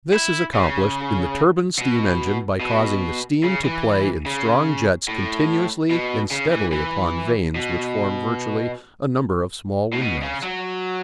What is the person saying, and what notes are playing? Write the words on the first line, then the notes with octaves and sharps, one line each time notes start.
This is accomplished in the turbine steam-engine by causing the steam to play in strong jets continuously and steadily upon vanes which form virtually a number of small windmills.
E4
C#3
B2
B2
C#3
E3
C#3
A2
B2
C#3
E3
E3
B2
A2
B2
C#3
F#3